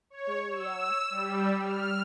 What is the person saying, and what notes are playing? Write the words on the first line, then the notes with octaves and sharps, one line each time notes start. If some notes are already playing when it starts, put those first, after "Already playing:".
Ooh, yeah.
C#5
E6
G3
F6